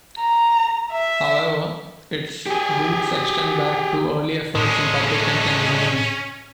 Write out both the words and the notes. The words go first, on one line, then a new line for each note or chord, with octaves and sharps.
However, its roots extend back to early efforts in public health engineering.
A#5
E5
G4 G#4
A2 D3 G#3 C#4